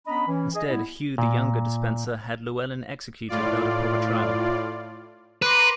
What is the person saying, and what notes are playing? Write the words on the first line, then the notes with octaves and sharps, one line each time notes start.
Instead Hugh the younger Despenser had Llewelyn executed without a proper trial.
B3 C#4 D4 D#5 A#5 B5
E3 C#4
G#4 D#5
A2 G3 B3 E4
A#2
A2 F4 D5
B4 A#5 C6 D6